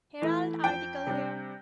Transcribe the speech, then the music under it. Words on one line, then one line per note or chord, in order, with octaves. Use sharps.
Herald article here.
E3 A3 E4
F2 G5
C3 G3 D4